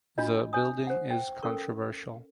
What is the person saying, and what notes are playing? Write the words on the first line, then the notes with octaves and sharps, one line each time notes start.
The building is controversial.
D4 F4 F#4 C#5 D#5
C#5 G#5 D#6
C5 F#5
G5
C#4 A4 A#4 C#6